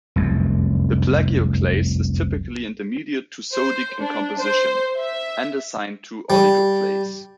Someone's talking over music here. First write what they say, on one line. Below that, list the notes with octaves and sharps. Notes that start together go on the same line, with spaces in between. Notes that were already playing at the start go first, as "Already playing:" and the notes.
The plagioclase is typically intermediate to sodic in composition, andesine to oligoclase.
F1 C2 F#2
C5
D4
C5
E5
G3